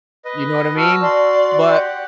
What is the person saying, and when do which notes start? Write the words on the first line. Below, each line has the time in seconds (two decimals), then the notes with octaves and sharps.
You know what I mean? But
0.25 B4 D#5
0.76 F#4 A5 E6 F6
1.00 D5 C6
1.68 G4 F#5